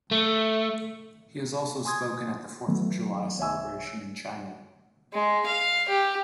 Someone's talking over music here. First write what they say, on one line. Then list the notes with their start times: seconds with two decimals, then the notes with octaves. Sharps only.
He has also spoken at the Fourth of July celebration in China.
0.11 A3
1.85 G#5 C6 D#6 G#6
2.68 D#3 E3 F#3 A3 B3
3.38 C2 C#5 E5 G#5 E6
5.14 G#3
5.47 F5
5.89 G4